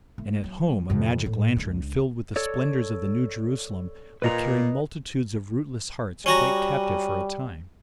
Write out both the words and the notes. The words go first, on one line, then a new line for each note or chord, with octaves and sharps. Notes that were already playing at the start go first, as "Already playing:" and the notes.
And at home a magic-lantern filled with the splendours of the New Jerusalem would carry multitudes of rootless hearts quite captive for a time.
A3
F#3
F2 C3
A2
C#2 D4
A4 C#5 D5
A#2 B4 D#5 A#5
G3 C#4 F#4 A#5